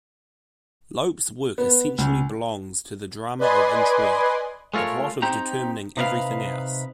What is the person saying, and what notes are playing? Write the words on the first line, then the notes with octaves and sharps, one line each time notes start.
Lope's work essentially belongs to the drama of intrigue, the plot determining everything else.
B3
C#2
B4 D5 D#5 G#5 C6
G#3 A3 F4 A#4 C#5
C4 D#4 G4 A#5
C3 D#4 B4 D5 F5